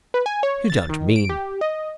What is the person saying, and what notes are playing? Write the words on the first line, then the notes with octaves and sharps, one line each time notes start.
"You don't mean--?"
B4
G#5
C#5
A6
D#3
D7
G4
D#5